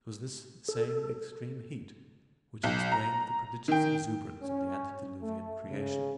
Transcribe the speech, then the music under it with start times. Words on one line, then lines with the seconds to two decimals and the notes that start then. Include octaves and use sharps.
It was this same extreme heat which explains the prodigious exuberance of the antediluvian creation!
0.68 A4
2.63 B1
2.92 A#5
3.68 D#3 G5
4.43 C#4
5.23 A3
5.69 C#3